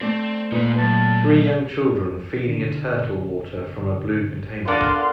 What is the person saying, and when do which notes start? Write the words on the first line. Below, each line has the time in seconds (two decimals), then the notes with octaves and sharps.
Three young children feeding a turtle water from a blue container.
0.01 A3 C4 D5
0.52 A#2 D#4 B4 C5
0.78 F#2 A5
2.47 B2 D3
4.68 B3 D4 F4 A4 A#4 D5 F#5